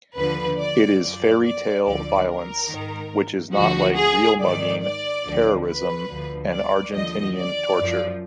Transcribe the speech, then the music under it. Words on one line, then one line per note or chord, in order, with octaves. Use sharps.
It is fairy-tale violence, which is not like real mugging, terrorism and Argentinean torture.
D#2 D3 F3 B4
D5
F#2 F3 D5
D5
D2 D3 F3 D5
A#4
G#2 D#3
D2 D3 F3 F#4
G#4
G#2 D#3 D5
D5
D2 D3 F3
B4
D2 D3 F3
D5
D#2 D3 F3 D#5
D5
F#2 F3